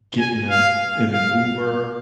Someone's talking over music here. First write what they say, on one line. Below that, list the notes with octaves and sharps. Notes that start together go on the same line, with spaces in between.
get in the in an Uber,
G#5
F5
F5